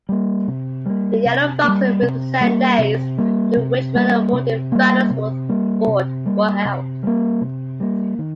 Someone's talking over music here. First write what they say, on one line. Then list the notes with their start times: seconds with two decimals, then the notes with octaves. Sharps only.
The yellow boxes represent days during which medal-awarding finals for a sport were held.
0.09 G3 A#3
0.48 C3
0.86 G3 A#3
1.25 C3
1.63 G3 A#3
2.02 C3
2.41 G3 A#3
2.79 C3
3.18 G3 A#3
3.57 C3
3.95 G3 A#3
4.33 C3
4.72 G3 A#3
5.10 C3
5.49 G3 A#3
5.87 C3
6.26 G3 A#3
6.65 C3
7.03 G3 A#3
7.42 C3
7.80 G3 A#3
8.19 D#3